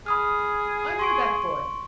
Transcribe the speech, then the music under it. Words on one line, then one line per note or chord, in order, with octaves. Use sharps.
I know that boy.
G#4 B5 D#6 F6
C6 C#6 D7